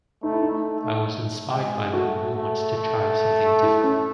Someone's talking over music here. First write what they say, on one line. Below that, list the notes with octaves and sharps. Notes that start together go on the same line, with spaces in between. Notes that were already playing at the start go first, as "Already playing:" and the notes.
I was inspired by them and wanted to try something different.
A3 D#4
E4
D#4
A3
A3
G#3
A3 F#4
A3
A3
E4
C#4